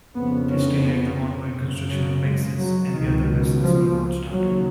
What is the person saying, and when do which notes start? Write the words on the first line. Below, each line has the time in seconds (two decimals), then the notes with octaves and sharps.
This delayed the ongoing construction of "Pegasus", and the other vessels were not started.
0.15 F2 C#3 B3
0.50 C#4
0.84 B3
1.54 F#2 C#3
1.89 F#3
2.24 G#3
2.58 F#3
2.92 C#2 B2 D#3
3.62 F3
4.31 D#2 C#3 F#3